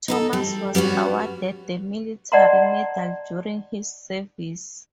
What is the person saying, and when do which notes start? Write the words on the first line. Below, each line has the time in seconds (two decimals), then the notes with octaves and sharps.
Thomas was awarded the Military Medal during his service.
0.08 D#4 E4 A4
0.33 G3
0.75 G3 B3 C#4 F#4
2.32 D5 D#5 F#5 A5 A#5 C6